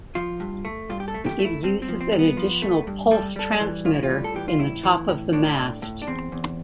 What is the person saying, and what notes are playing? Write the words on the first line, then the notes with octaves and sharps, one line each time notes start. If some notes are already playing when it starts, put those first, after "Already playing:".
It uses an additional pulse transmitter in the top of the mast.
F3 F4
G2
A3
G2 F4
G4
A4
A3
G4
A3
E4
G2 C4
C4
F3
C4
G2
B3
F3
A3
G2
G3 A4
G3 A4
E3
A2 F4
E4
F4
G3
A4
E3 G4
F4
A2 E4
E3
A2
A2 D4
A2
A2
D4
E2 C4
E2